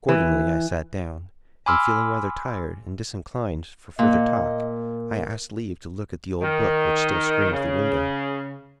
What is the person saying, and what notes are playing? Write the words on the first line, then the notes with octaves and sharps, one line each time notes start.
Accordingly I sat down, and feeling rather tired, and disinclined for further talk, I asked leave to look at the old book which still screened the window.
E3
G#5 B5 C6 D6 E6 F6
A#2 D#5
D#3
C#3